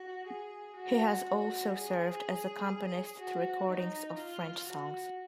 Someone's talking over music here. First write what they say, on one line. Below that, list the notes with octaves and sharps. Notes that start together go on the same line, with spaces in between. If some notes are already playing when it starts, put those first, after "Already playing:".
He has also served as accompanist to recordings of French songs.
Already playing: F#4
G#4
F#4
F#4
G#4
F#4
D#4
F4
F#4